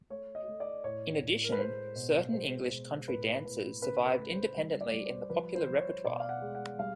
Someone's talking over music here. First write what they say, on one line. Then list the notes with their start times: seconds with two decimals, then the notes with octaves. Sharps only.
In addition certain English country dances survived independently in the popular repertoire.
0.10 A3 C#5
0.35 D#5
0.48 A3
0.60 D5
0.84 A2 C#5
1.22 A2
1.44 A#4
1.52 B4
1.59 G#3 C5
1.95 B2
2.33 G#3 C5
2.71 B2
3.08 A2 B4
3.44 A2 B4
3.82 C#3 B4
4.06 B4
4.19 A3
4.31 C5
4.56 G3
4.81 D5
4.93 G3
5.06 C5
5.30 F3 B4
5.55 C5
5.67 F3
5.79 C#5
6.05 B2 D5
6.20 F5
6.29 F#5
6.41 G#3
6.55 F#5
6.79 G3 F5